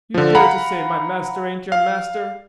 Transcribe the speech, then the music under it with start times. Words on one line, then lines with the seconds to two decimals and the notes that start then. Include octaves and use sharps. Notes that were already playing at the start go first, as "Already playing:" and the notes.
You dare to say my master ain't your master!
0.14 D3 F3
0.35 F5 F#5 A#5 B5
1.72 F5